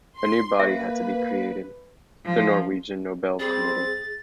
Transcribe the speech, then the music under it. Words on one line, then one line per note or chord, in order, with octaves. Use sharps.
A new body had to be created-the Norwegian Nobel Committee.
C6
A#3 B4 E5
F3
G3 C4 G#4 A6